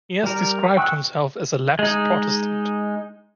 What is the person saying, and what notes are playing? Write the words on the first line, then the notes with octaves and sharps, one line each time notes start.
He has described himself as a lapsed Protestant.
G3 A#4
G5 C#6 E6 F#6
G#3 D#4